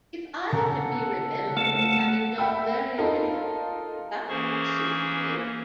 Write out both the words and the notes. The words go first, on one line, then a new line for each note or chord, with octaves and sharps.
If I could be remembered as having done very little, that would suit me.
C#3 A4 F#5 A#5
A3 F5
E5 F#5 G5 B5 E6
D#4 F4 A4 A#4
E3 A#3 C#4 G#4 C5 C#6